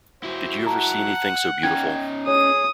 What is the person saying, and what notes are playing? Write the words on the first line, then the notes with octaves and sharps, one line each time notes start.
Did you ever see anything so beautiful?
F#3 E4 C5
F#5 A5 A#5
C#4 D#4 G5 G#6
G#4 C#5 D#6